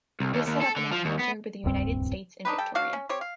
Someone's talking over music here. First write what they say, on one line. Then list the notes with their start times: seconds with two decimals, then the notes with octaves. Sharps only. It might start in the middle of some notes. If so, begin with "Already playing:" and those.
This set up an encounter with the United States in Victoria.
0.20 C2
0.34 D#2
0.47 D#2
0.61 A4
0.76 D3
0.92 F3
1.05 D#2
1.19 B3
1.64 D#1 C#2 G2 C4
2.45 D4 D#4 G4 B4
2.58 G3 A4 G5
2.75 D4 F#4 F5
2.93 C#4
3.09 C4 G4 C#5
3.21 F5